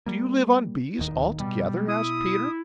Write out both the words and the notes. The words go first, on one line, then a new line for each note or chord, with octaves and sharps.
"Do you live on bees altogether?" asked Peter.
G3 A#3
D1 D#2 D#3
B2 G3
E4 D#6